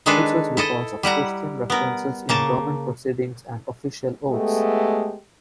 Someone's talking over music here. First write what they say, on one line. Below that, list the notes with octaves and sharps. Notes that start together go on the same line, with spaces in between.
This was because of Christian references in government proceedings and official oaths.
D#3 G#3 D4 G#4 A4 B4
E4 A4 D#5
G3 E4 F#5 A#5
B3 A#4
C#3 A#3 A5 A#5
G#3 A3 B3 G4 A4